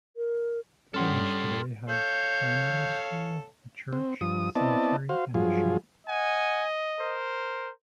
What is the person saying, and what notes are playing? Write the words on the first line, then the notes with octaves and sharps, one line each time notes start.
The village today has a primary school, a church, a cemetery, and a shop.
A#4
G2 G3 C#4 A4 F#5 G5 C6 F6
A4 C#5 F5 G6
C4
G2 F3 D#6
B3 C4 E4 D5 D#5 A5
F#4 C5 F5
G2 F3 F#3 F4 G#4
D#5 F#5 G#5
A#4 C5